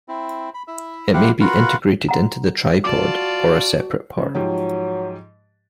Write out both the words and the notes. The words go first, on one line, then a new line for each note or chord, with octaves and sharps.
It may be integrated into the tripod, or a separate part.
C4 E4
B5
E4 E5
C4 E4 G4 F5 F#5
F4 F#4 A#4 B4 F5 F#5
F#4 F#5 A#5
F4 F#4 D5 A5 D6
C#3
G#2 F3 F#3 G4